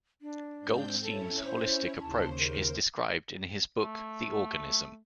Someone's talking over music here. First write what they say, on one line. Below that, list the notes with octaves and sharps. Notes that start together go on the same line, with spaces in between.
Goldstein's holistic approach is described in his book "The Organism".
D4
G#2 C4 G6
C#4 E4 A4 C#5
C5
D#2 C#3 C5 A5
A#4
A3